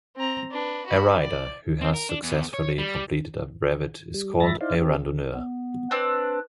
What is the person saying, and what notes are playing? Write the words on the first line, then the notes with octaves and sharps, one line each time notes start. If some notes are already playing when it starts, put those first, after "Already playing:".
A rider who has successfully completed a brevet is called a randonneur.
C4 A#5
D4 B4
F#4 B5
D5
C4
A#4
D4
E2
C#5
G3
G3
G2 F3 E5 B5 A6 A#6
D#4 E4 C5 D5 F5
C4 G4
B3
C4 D4 B4